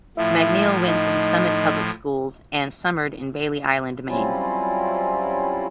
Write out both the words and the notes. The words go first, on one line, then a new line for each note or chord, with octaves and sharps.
MacNeille went to the Summit Public Schools and summered in Bailey Island, Maine.
A2 F3 E4
D#4
F#3 G3 C4 C#4 E4 F4